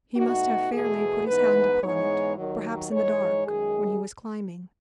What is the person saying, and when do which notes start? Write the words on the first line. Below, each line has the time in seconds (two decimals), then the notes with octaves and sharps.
He must have fairly put his hand upon it, perhaps in the dark, when he was climbing.
0.17 B2 A3 D#4 F#4
0.71 E2 B2 A3 G#4
1.26 G#2 E3 B3 D#4 B4
1.82 G#2 E3 G#3 B3 D#4 C#5
2.37 D#2 D#3 F#3
2.91 G#2 E3 G#3 D#4 C#5
3.47 F#2 D#3 G#3 G#4